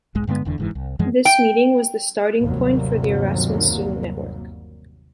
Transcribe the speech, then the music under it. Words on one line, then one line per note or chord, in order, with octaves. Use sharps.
This meeting was the starting point for the Erasmus Student Network.
E1 B1 G#2 G#3
G2 D3 G#3 B3
F1 E2 D3
F#1 G#2 E3
C2
F#2 E3 F3 G#3
G5
G1 D#2 C3 F#3 G3 A#3